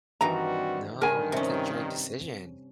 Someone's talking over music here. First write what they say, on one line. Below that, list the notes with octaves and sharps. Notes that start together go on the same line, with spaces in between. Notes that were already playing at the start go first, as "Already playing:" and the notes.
No. It's a joint decision.
G2 D#3 E3 G3 C4 F#4 A#5
G2 D3 D#3 A#4 G#5
C3 C#4